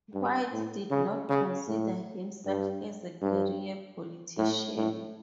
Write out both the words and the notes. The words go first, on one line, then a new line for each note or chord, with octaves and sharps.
White did not consider himself as a "career politician".
G2
A2
C#3
C#3
A2
G2
G2
A2
A2